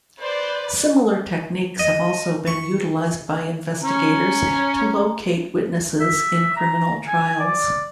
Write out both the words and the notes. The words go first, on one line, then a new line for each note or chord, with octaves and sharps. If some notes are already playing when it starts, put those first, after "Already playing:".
Similar techniques have also been utilized by investigators to locate witnesses in criminal trials.
B4 C5 D5
D#5
C#6
C#4 A#5
E5
A#5
G#5
D5